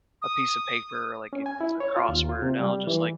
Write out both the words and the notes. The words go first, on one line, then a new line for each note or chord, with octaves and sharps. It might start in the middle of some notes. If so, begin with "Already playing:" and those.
a piece of paper, like, if it's a crossword, and I'll just, like,
D#6
C#4
G#5
E4
C#5
F4
D#2
F4
C3
G3
E3